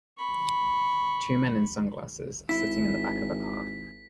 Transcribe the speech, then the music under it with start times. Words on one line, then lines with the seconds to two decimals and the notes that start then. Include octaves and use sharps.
Two men in sunglasses are sitting in the back of a car.
0.18 B5 C#6
2.49 G#1 E4 B6